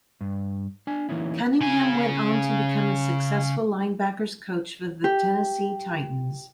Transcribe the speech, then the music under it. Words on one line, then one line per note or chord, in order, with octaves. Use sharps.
Cunningham went on to become a successful linebackers coach for the Tennessee Titans.
G2
D4 G#5
E3 A#3 C#4 D#4 E4
C#3 G#5
G4